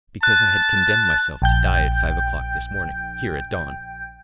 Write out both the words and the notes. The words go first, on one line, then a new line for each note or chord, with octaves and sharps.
Because I had condemned myself to die at five o'clock this morning, here, at dawn.
A5 F#6
A#1 G5 G6